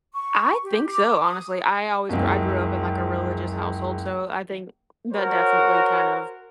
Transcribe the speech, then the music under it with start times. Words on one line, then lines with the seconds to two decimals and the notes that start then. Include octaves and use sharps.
I think so, honestly. I always grew I grew up in a religious household, so I think that, definitely, kind of,
0.14 C#6
0.62 G4
0.88 D6
1.24 D#6
2.09 F#1 C#2
5.13 F#4 A#4 C5 C#5